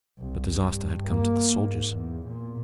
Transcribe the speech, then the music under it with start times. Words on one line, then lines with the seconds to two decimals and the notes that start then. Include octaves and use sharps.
But disaster had come to the soldiers.
0.19 C2
0.69 G2
1.09 A#3
1.58 G#2
1.89 E2
2.26 A#2